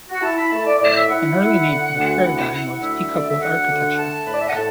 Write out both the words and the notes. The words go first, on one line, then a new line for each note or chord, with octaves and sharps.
An early name for the paradigm was "decoupled architecture".
F#4
E4 A5
B5
A3 A5
D5
A2 D5
E5
E4 F#5
E4
D3
D2
E4
E4
D2 E5
D3 D5
E5
D2 F#5
D3
A3 A5
A2 B4
D5
E5
F#5
A2 A5